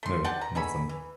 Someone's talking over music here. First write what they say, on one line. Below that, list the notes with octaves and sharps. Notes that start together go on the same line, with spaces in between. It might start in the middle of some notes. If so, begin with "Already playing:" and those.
No nothing.
A3 C6
D5 F#5 G5 A5
A#5
B2 G#4 A4 B5
E3